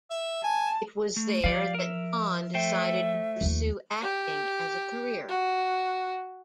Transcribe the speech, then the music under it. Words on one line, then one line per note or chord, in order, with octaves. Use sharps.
It was there that Vaughn decided to pursue acting as a career.
E5
G#5 A5
A3
F3 G4 D5 F5
A#4 E5
A3 C5 E5 G5
D#2 F3
G4
F#4